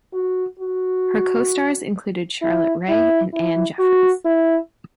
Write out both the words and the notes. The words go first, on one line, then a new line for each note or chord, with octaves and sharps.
Her co-stars included Charlotte Rae and Anne Jeffreys.
F#4
F#4
E4
E4
E4
F#4
E4